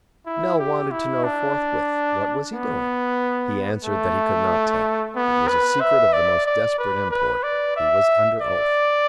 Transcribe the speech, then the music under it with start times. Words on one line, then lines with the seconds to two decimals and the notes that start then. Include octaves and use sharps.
Nell wanted to know forthwith what was he doing; he answered that he could not tell, it was a secret of the most desperate import; he was under oath.
0.26 E4
0.58 G4
0.91 E4
1.24 D4
2.54 B3
3.85 A3
5.16 B3
5.48 B4
5.81 E5
6.13 D5
6.45 D5
6.78 B4
7.11 B4
7.43 D5
7.76 E5
8.41 D5